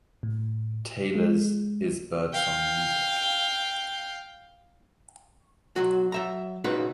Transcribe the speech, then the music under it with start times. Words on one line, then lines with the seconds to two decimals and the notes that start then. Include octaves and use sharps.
Taylor's 'Is Birdsong Music?
0.23 A2
1.15 G#3
2.33 F5 G5
5.76 B1 F#3 F#4
6.12 F#3 E5 A#5
6.64 A#2 C#3 D#4 F#4 B4